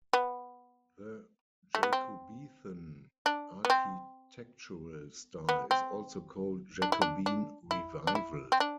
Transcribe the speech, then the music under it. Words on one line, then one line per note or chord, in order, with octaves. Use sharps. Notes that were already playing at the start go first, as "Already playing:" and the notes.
The "Jacobethan" architectural style is also called "Jacobean Revival".
B3
A3
B3
C4
D4
B3
C4
B3
C4
D4
E4
D4
D4
E4
D4
E4
C4
D4